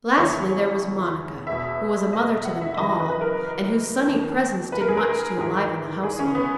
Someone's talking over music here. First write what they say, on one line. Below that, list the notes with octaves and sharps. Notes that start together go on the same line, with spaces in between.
Lastly there was Monica, who was a mother to them all, and whose sunny presence did much to enliven the household.
E2 C#3 E3 C#5
E2 B2 E5
D#5
E5
F#5
E5
F#2 C#3 E3 D#5
B4
B4
A#4
D#2 D#3
B4
A#4
G#4
A#4
G#2 E3
G#4
C#4
B3